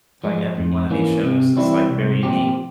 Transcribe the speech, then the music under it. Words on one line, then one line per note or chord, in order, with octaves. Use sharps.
to, like, every one of these shows is, like, very unique.
F3 G#3
F2
E3 A#3 C#4
C3
E3 G3 C4 E4
C2
A#2 F3 C4 G4